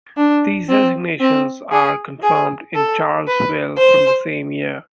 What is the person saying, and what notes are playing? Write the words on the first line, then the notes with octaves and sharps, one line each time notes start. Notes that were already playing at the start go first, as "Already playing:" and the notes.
These resignations are confirmed in Charles's will from the same year.
D4
C4
C4
G#4
G#4
A4
B4
C5